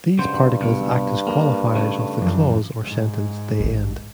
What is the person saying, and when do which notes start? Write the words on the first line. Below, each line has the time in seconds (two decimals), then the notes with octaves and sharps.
These particles act as qualifiers of the clause or sentence they end.
0.19 G2 C#3 F#3 C5
0.61 C2 B2 G3
1.27 A#3
1.75 C#3 A3
2.20 F#2 E3 F3
2.83 G#2
3.60 A1 D#3